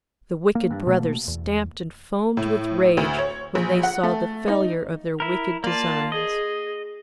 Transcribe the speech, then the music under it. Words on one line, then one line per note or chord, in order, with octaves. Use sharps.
The wicked brothers stamped and foamed with rage when they saw the failure of their wicked designs.
A#3
G2
B2 A3 A#3
E2
A2
D2
C#5
A#1
F#5
A3
D#4
E4 A#4
A#3 F4 D5 A5
G#4 D#5